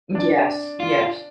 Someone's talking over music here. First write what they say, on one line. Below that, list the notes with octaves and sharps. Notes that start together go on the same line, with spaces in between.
Yes, yes.
D4
F4